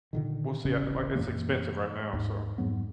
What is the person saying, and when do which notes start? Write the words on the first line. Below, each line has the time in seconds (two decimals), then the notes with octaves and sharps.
we'll see, I like, it's expensive right now, so
0.13 A#2 D3 D#3
0.65 D#1 A1 C#3 C#4
1.15 F#2 A#2 E3 A#3
2.13 D#2 G#2
2.58 F2 G#2 F#3 B3